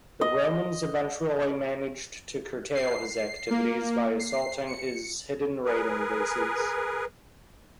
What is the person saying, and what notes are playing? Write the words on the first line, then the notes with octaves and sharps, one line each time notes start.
The Romans eventually managed to curtail his activities by assaulting his hidden raiding bases.
D#5
C7
A#3
C7
C#7
G#4 A#4 B4